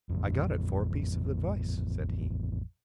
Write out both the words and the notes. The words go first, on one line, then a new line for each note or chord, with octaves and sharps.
"I got it for a piece of advice," said he.
A1 F2